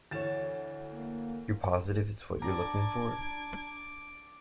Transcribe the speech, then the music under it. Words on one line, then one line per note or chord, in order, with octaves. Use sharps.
You're positive it's what you're looking for?
D2 E3 C#5 A6 E7
A#3
D4 D5 A5 A#5 D6 G#6